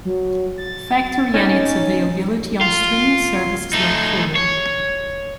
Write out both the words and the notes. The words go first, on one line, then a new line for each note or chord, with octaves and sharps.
Factory and its availability on streaming services like Hulu.
F#3
A6
C#4 D#4
F4
A3 D#4
C#5